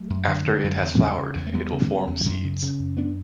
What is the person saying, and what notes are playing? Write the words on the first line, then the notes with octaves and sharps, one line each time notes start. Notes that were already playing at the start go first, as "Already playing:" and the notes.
After it has flowered it will form seeds.
Already playing: F#3 A3
F#2
D3
D3
F#2
E2
C#3
C#3
E2
A3
E2 G3 B3
C#3
C#3
E2
F#2
C#3
C#3
F#2
F#2 B3 D4